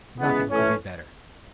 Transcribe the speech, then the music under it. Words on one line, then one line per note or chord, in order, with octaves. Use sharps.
Nothing could be better.
C#3 E3 G#3 B3
A2 E3 A3 C#4